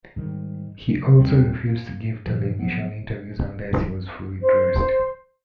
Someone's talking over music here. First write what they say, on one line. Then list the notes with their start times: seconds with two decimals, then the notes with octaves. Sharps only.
He also refused to give television interviews unless he was fully dressed.
0.16 G#2 D#3 G3
0.95 F#1 F#2
1.18 F#1 D#2 G3 C4
1.68 A#3
2.26 A#2 D#3 F3
2.59 F3 F#3 B3
4.42 C5